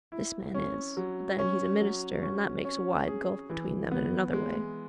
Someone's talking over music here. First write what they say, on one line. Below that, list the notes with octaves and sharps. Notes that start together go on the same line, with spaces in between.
This man is--but then he's a minister and that makes a wide gulf between them in another way.
E4
C#4
F#3
C#4
F#3
C#4
C#4
G#4
E3
B3
G#3